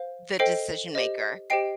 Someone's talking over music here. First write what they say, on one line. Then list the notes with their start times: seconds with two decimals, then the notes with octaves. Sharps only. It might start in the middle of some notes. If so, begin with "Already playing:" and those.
the decision maker,
Already playing: C5 F5
0.39 A4 C5 D#5 G5 C7 D7
0.95 G4 C5 D#5
1.50 G4 C5 D#5 G5 C7 D7